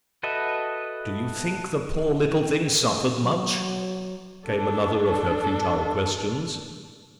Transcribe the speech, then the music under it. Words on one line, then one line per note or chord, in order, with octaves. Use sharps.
'Do you think the poor little thing suffered much?' came another of her futile questions.
F#4 A4 B4 D#5 E5
F#3
D4 A4